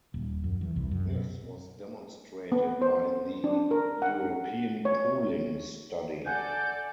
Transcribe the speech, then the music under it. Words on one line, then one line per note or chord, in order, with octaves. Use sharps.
This was demonstrated by the European pooling study.
D#1
F#2
E2
C2
F#2
B2
B3
C5
D4
A#4
F#5
F#4
C#5
A4 D5 F#5 G#5 G6